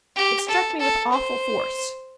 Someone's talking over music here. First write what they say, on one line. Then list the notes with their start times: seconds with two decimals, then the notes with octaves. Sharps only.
It struck me with awful force.
0.16 G4
0.48 A4
0.80 A4
1.12 C5